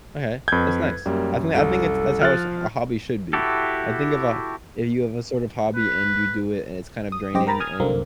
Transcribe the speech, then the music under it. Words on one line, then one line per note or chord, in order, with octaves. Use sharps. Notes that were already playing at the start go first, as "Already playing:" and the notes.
Okay, that's nice. I think I think it's that's how a s a hobby should be. I think of a if you have a sort of hobby, and you do it, and it's kind of draining, and
F2 B4 G6 G#6
F#2 G3 A#3
C2 A4
F3 F6 F#6 A6
E4 F#4 G4 A4
B4
D#6
F#2 C#3 C4 G4 D#5 D6
A#4 G5 A#5 B5 A6
G#5 D#6 F6 G#6
C2 F#2 D3 A#3 C4